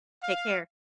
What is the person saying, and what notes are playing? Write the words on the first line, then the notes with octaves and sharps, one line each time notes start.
Take care.
F5